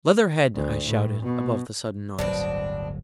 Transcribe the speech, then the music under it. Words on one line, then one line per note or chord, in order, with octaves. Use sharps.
"Leatherhead!" I shouted above the sudden noise.
D2
A2
B2
D1 G1 B2 F#3 C4 D4